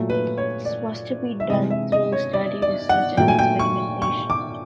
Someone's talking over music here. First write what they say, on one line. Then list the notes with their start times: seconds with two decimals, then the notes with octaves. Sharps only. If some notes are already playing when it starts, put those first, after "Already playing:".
This was to be done through study, research, and experimentation.
Already playing: A#2 F#3 A3
0.10 B4
0.38 C#5
0.65 D5
1.40 E5
1.49 C3 E3 G#3 D#5
1.70 E5
1.92 D#5
2.12 C#5
2.33 D5
2.62 D5
2.89 F#5
3.17 A#2 F#3 A3 G5
3.28 G#5
3.39 G5
3.59 C#6
4.02 C#6
4.30 D6